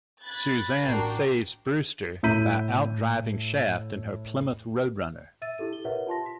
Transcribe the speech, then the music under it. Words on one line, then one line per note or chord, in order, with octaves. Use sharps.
Suzanne saves Brewster by out-driving Shaft in her Plymouth Road Runner.
B5 F#6 G#6 A6
A1 D4 F#4 A#4 G5 C7
A2 E4 G6 B6 D#7
E5 E6 A6 D#7
E4 G4 A4 D#7
G7
G4 A#4 B4 C#5 E5 F#5
F4 A5 C6 A#6
B6